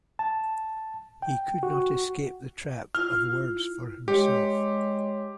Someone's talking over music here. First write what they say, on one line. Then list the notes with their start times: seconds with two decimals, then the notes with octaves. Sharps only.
He could not escape the trap of words for himself.
0.19 A5
1.22 G5
1.63 F#4
2.95 E4 F4 F6
4.08 G#3 G4 C#5 C6